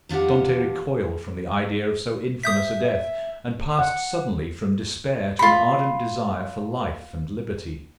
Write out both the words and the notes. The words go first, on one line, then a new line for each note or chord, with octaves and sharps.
Dantes recoiled from the idea of so infamous a death, and passed suddenly from despair to an ardent desire for life and liberty.
E2 F3 D4 G4 F#5
E5 D#6 G6 B6
F#5
F4 B5